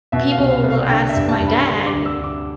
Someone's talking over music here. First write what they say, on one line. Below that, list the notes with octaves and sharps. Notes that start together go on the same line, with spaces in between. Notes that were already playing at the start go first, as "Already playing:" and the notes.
people will ask my dad
B2 E5
F5
C2
F5
C2
F5
D3 G5
E5
G2
A5
G2
B5
D3 C6
D6
D2
E6
D2
D6